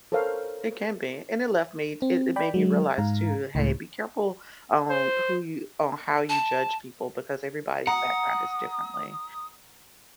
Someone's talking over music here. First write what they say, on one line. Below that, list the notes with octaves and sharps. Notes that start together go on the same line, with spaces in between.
It can be. And it led me t it it made me realize too, "Hey, be careful on who you on how you judge people because everybody's background is differently"
A4 A#4 C5 C#5 F5
C4
D5 G5 B5
F#3 G#3
G#2 F5 A#5
C#2 A2
C5
A5
F#5 A#5 D#6